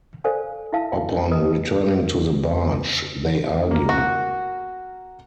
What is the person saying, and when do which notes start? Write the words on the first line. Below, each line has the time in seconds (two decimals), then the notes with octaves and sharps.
Upon returning to the barge, they argue.
0.24 A4 C5 D5 F5 G#5
0.73 E4 E5 F5 A5
1.31 B4 D#5 D#6
3.71 A#3 A#4
3.89 F#4